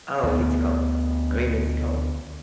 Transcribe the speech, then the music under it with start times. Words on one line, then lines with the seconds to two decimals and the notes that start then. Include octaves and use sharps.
Oh, it's cold. I mean, it's cold.
0.23 D2 B3